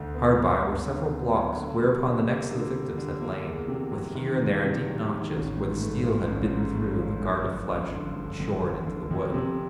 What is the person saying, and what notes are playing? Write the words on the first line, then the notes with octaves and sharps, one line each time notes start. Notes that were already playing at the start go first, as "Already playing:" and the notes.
Hard by were several blocks whereon the necks of the victims had lain, with here and there deep notches where the steel had bitten through the guard of flesh and shored into the wood.
Already playing: D2 D3
B3
F#3
D2
D3
B3
F#3
D3
G3
D3
A#3
D3
G3
D3
A#3
E2
C3
F#3
D#3
E2
C3
F#3
D#3
A1
G#2
A3
F3
A1
G#2
A3
F3
G1
F#2
F3
D3
G1
F#2
F3
D3
F2
C3